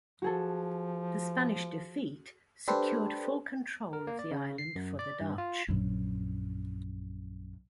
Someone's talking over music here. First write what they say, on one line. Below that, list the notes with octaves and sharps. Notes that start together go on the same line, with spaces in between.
The Spanish defeat secured full control of the island for the Dutch.
F3 F#4 G#4 A4
D4 G4 A4 B4 C5
A#4
A#3
D5
C#3
C7
F#2
D5
G2
F4
A#1 F#2